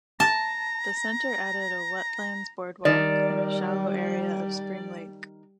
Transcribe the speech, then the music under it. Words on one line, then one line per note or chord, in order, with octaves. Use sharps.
The center added a Wetlands Boardwalk in a shallow area of Spring Lake.
A5 A#5
D#3 G3 D5